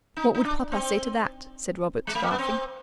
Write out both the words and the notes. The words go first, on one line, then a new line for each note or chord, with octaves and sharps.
"What would papa say to that?" said Robert, laughing.
D#4
D#4
D4
C4
G#3
A3
A#3
B3
C4